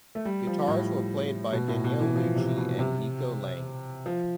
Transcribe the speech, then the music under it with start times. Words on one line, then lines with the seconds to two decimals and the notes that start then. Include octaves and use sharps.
Guitars were played by Daniele Lucci and Nico Lange.
0.15 A3
0.25 G3
0.47 F3
0.68 A2
1.52 B2
1.68 A2
1.84 B2
2.00 E3
2.16 F3
2.36 C3
2.58 B2
2.79 C3
4.06 F3